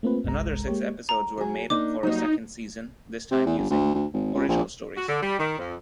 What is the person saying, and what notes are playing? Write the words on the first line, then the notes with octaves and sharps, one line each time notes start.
Another six episodes were made for a second season, this time using original stories.
A3 A#3 C4 F4 B4
G1 C2 G#3 A#5
G#3 A#3 G4 C#5
A#5
F#3 G#4
A#3 D4 D#4 D6
F#3 G3 A#3 D#4
C3
E2
G1
D2
D2
G#1
C#2
A#1
F#4
D3
G3
D#3
F2